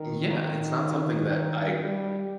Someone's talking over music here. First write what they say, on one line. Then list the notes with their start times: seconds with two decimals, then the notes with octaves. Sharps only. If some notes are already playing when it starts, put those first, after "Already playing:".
yeah, it's not something that I
Already playing: D#3
1.80 G3